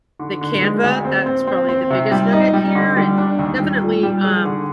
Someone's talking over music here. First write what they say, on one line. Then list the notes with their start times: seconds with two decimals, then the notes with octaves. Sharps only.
the Canva, that's probably the biggest nugget here and definitely, um,
0.19 D3
0.41 D3
0.62 G#3
0.84 D2
1.04 C4
1.26 C4
1.47 C4
1.69 C4
1.90 C3
2.11 G3
2.32 D#4
2.53 G3
2.75 D3
2.96 G3
3.18 D4
3.39 D#2
3.60 G3
3.81 A#2
4.03 G3
4.24 G#4
4.45 D3